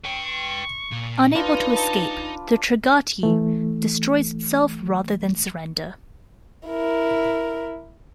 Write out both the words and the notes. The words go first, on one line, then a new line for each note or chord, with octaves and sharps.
Unable to escape, the "Trigati" destroys itself rather than surrender.
B4 G5 C#6
A#2
D4 D#4 F4 B4
A5
E3 A3
E4 A#4